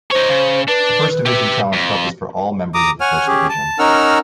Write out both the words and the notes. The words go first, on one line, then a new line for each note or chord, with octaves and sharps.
The First Division Challenge Cup is for all members of the First Division.
D#4 C5 C#5
C#3
D4 B4
G4 E5
F2
A#5 D6 D#6
C#5 F#5 G#5 F6
C#4 G4 G#4
A5
C#4 D#4 A#4 F#5 E6 F6